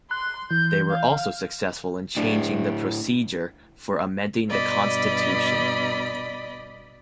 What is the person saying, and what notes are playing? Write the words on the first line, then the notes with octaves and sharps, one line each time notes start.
They were also successful in changing the procedure for amending the Constitution.
C6 F#6
E3 G6
F5
A2 D4
G2 B2 D5 D#5 B5